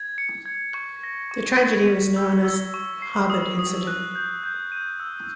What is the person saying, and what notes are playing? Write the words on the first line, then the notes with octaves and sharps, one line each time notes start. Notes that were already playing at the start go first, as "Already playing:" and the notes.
The tragedy was known as "Harvard Incident".
Already playing: G#6
C#7
G#6
C#6
A#6
C#6
G#6
B6
E6
E6
C#6
C7
D#6
D#6
F#6
G6
G6
D#7
E6